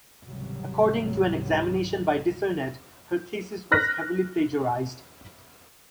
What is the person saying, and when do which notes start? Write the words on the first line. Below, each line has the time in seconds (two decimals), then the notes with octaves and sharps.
According to an examination by Dissernet, her thesis was heavily plagiarised.
0.24 G#1 C#2 G#2 C3 F#3 G3
3.72 F6 F#6 A#6 B6